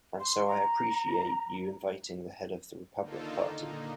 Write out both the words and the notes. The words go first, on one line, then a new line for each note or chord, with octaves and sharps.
And so I appreciate you inviting the head of the Republic Party.
C6
A#5
D3 D#3 A#3 D#4 F4 A4
A#2 D3 A#3 D#4